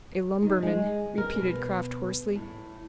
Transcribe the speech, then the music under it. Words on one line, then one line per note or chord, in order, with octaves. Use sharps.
"A lumberman," repeated Kraft, hoarsely.
D#3
G#3
A#4
B2
A2